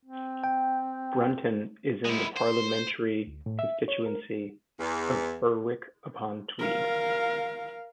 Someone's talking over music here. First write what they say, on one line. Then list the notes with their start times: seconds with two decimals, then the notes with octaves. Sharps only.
Brunton is in the parliamentary constituency of Berwick-upon-Tweed.
0.05 C4
0.44 G5
2.05 G#3 E4
2.37 C5
3.27 D2
3.46 A2
3.59 E5
3.88 C#5
4.06 A#4
4.80 E2
6.59 A#4 F5